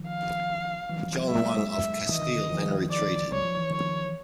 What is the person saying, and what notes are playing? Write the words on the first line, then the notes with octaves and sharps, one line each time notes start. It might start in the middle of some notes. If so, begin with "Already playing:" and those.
John I of Castile then retreated.
Already playing: D#3 F3
F5
E3 F#3
F3 G3
E3 F#3
F3 G3
F#3 G#3 E5
E5
E3 D#5
D#3
D3
D#3
D#3 F3
D5
F#3 C#5
F3
E3
D#3 F3 C#5
E3